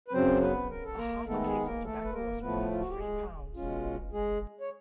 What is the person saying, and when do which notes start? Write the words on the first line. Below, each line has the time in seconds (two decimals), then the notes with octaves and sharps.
A half a case of tobacco was worth three pounds.
0.08 B4
0.13 F#2 C#3 F#3 C4 C5
0.42 B3 B4
0.70 A#4
0.84 A4
0.97 A#3 A#4
1.27 D#3 G#3 A3 B3 A4
1.41 A4
1.46 G#3 G#4
1.66 A#3 A#4
1.84 A3 A4
2.04 B4
2.13 A#3 A#4
2.41 A2 F3 A3 B3 B4
2.71 F4
2.79 F#4
2.90 G4
2.99 G#3 G#4
3.55 B2 G#3 C#4 F4
4.12 G#3 G#4
4.61 C#5